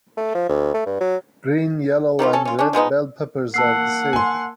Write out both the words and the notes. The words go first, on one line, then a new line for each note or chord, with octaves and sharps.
Green, yellow and red bell peppers are the same.
A3
F3
D2
A3
G2
F#3
D#3 F#3 G3 F4
C#4 A4
C#4 F4
C#4 D4
F3 G#3 B3 D#4
A#3 F#5 A5 E6 C7
G#5 C6